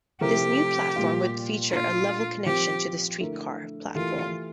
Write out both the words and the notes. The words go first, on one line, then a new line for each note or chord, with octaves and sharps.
This new platform would feature a level connection to the streetcar platform.
C3 F3 A3 E4 G4 A#4
A#2 G3 A#3 F4
A#2 A3 D4 F4
F3 C4 F4 G4 A#4
D3 A3 E4 A#4
E3 A3 E4 F4 G4 A#4